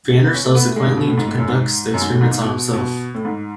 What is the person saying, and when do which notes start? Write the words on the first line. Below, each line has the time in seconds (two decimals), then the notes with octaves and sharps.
Banner subsequently conducts the experiments on himself.
0.09 A3
0.24 B3
0.34 C#4
0.45 A3
0.55 B3
0.65 A3
0.76 G#3
0.86 C#3
0.97 B2
1.07 A2
1.18 G#2
1.28 A2
1.38 F#2
1.48 G#2
1.94 F#2
2.02 G#2
2.11 A2
2.21 G#2
2.31 G#2
2.42 B2
2.73 B2
3.15 A2
3.25 G#2